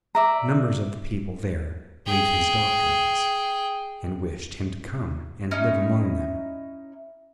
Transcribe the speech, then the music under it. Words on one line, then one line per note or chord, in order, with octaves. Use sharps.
Numbers of the people there believed his doctrines and wished him to come and live among them.
D5 E5 A#5
G#4 G5
C#4 D#4 E4